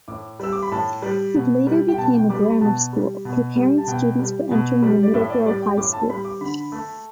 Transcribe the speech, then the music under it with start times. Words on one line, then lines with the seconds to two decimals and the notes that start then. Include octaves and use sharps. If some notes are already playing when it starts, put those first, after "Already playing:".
It later became a grammar school, preparing students for entering the Middleborough High School.
0.08 A2 D6
0.40 G3 E6
0.52 D6
0.63 B5
0.72 A2 A5
1.02 G3
1.35 B2
1.67 G3
1.89 G5
1.98 B2 A5
2.14 G5
2.30 G3 D6
2.45 B5
2.61 B2 A5
2.93 G3
3.25 B2
3.56 G3
3.78 A5
3.87 B2 G5
4.19 G3
4.51 B2
4.82 G3
5.03 D5
5.14 A2 E5
5.30 D5
5.46 G3 D5
5.62 G5
5.77 A2 D6
5.93 A5
6.10 G3 B5
6.25 D6
6.41 D3 B5
6.72 A3